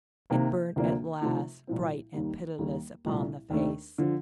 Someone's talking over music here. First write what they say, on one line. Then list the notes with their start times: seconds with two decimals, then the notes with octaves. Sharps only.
It burnt at last bright and pitiless upon the face.
0.30 C3 D#3 A#3
0.76 D2 C3 F3 A#3 D4
1.21 C3 F3 A3 D#4
1.67 C2 A#2 F3 C4
2.13 D#2 D#3 G3 A#3
2.58 D#2 D#3 G3 A#3
3.05 C2 A#2 A3
3.50 D#2 D#3 A3 D4
3.98 D3 F3